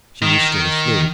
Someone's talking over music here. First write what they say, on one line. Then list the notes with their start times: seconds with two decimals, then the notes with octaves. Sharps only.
She was still asleep.
0.22 D#3